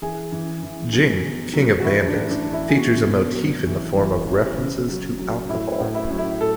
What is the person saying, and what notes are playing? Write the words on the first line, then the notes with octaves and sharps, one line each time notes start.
"Jing: King of Bandits" features a motif in the form of references to alcohol.
E3 G#4
E3
E3
F#3
B2
F#3
F#4
E3 E4
D4
A2
D4
E3 D4
E4
G#4
B2 F#4
B2
F#3
E3
E3
E3
C#3
F#3
F#3
A2 E4
E4
A2
E4
F#3
E4
A2 A4